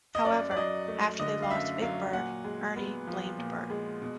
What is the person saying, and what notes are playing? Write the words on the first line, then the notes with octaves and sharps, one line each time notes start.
However, after they lost Big Bird, Ernie blamed Bert.
D#5
F#2 D5
D5
F#3 D#5
A3
D3 D#5
F5
F#2 E5
F#3 F5
A#2 F#5
G#3
B3
F3
A#2
G#3
B2